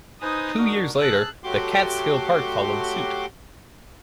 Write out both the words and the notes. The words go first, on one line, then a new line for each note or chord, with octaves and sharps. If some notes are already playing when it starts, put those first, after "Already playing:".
Two years later, the Catskill Park followed suit.
D#4 B4 C5 G#5 D#6
D4 F#4 A#4
G#4 A5 E6 F#6
F#3 A3 F#4 G4 C6 D6